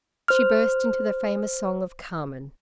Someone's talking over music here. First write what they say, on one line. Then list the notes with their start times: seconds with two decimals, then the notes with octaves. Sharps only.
She burst into the famous song of CARMEN.
0.28 C5 F6